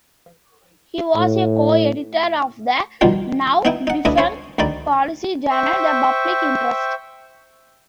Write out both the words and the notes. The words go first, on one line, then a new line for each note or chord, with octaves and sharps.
He was a co-editor of the now-defunct policy journal "The Public Interest".
A2
B2 D#3 F3 G3 F4
B3 D#4 E4 G5
D#4 F#5
D2 D4 E4 B4 D#5
C#4 C5 C#5
D2 D#3 D#4 D5 B5
C5 E5 G5 C#6